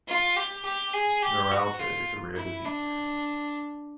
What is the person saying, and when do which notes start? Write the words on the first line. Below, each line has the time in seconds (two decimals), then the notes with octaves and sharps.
Neuralgia is a rare disease.
0.08 F4
0.37 G4
0.65 G4
0.94 G#4
1.22 G4
1.52 F#4
1.79 F4
2.36 E4
2.66 D4